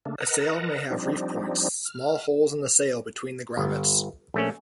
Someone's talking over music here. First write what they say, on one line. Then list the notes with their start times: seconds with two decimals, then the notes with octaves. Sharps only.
A sail may have "reef points," small holes in the sail between the grommets.
0.05 C#3 A3 A#3 D4
0.21 A#4 B4 D#5 F#5 A5 A#5
0.90 F3 G3 C4 D4 D#4
1.85 F6
3.57 G1
4.34 A#1 A3 C#4